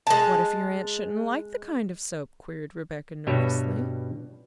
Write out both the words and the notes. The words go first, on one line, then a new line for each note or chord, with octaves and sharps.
"What if your aunt shouldn't like the kind of soap?" queried Rebecca nervously.
G#3 A5
G2 B2 G3 B4 C#5 E5